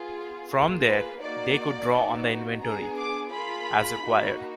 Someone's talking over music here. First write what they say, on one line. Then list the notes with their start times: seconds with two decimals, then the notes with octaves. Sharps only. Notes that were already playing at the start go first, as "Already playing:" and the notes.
From there, they could draw on the inventory, as required.
Already playing: B3 F4 G#4
0.50 A#3 F4 G#4
0.86 B4
1.21 A#3 D#4 F#4 D5
1.91 B3 D#4 F#4
2.61 B3 D4 G#4 A#5
2.96 D6
3.31 A#3 F4 G#4 B5
4.02 A#3 D#4 F#4